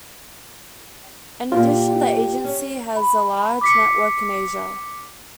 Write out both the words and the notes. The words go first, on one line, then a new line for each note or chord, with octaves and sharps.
In addition, the agency has a large network in Asia.
A#2 A#3 F4 G4
C#4
B5
D6 B6 C#7